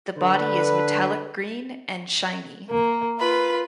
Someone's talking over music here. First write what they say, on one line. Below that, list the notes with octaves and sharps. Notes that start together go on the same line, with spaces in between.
The body is metallic green and shiny.
D3 B4
A#3
F4 B4 B5